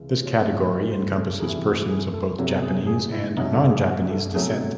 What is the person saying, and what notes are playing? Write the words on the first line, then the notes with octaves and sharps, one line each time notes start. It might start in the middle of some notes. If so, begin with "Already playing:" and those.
This category encompasses persons of both Japanese and non-Japanese descent.
Already playing: C#2 C3 E3
C5
C#5
C#2 C#3 F#3
C5
A4
C2 C3 E3 A3 G#4
F#4
G#4
A4
E2 C3 F#3 A4
G#4
G#4
E4
C2 C3 F#3 D#4
A4
G#4
F#4
A4
E2 C3 F#3 A3 C4 G#4
D#5